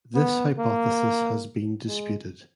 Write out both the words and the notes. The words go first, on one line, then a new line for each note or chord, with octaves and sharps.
This hypothesis has been disputed.
B3
A#3
G#3